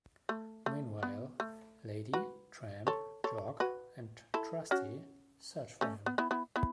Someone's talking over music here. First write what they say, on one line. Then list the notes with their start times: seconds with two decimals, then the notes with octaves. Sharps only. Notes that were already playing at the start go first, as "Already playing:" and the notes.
Meanwhile, Lady, Tramp, Jock and Trusty, search for him.
0.29 A3
0.66 A3
1.03 B3
1.40 A3
2.13 F#4 B4
2.87 A4 C#5
3.24 A4 C#5
3.60 F#4 B4
4.34 E4 A4
4.71 C#4 F#4
5.81 A3 C#4
6.06 B3
6.18 B3 E4
6.31 B3 E4
6.56 B3 E4